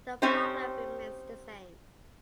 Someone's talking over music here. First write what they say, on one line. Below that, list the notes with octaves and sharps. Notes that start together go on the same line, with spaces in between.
The problem remains the same.
C4 C#4 D#4 G4 C5